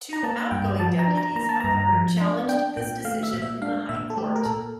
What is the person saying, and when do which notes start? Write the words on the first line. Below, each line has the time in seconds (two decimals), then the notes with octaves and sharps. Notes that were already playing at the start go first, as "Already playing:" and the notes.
Two outgoing deputies, however, challenged this decision in the High Court.
0.13 A#5
0.23 A#3 A5
0.51 G2 G5
0.79 F3 A5
0.99 A#5
1.08 D4
1.17 A#5
1.36 A#3 A#5
1.49 A5
1.60 G2 A#5
1.92 F3
2.21 D4
2.48 D4 G5
2.77 A#2 G5
3.04 A3 F5
3.23 E5
3.34 A#2
3.42 E5
3.62 D4 F5
3.89 A#2 E5
4.10 A4
4.17 A3 G4
4.36 A#4
4.45 A#2 A4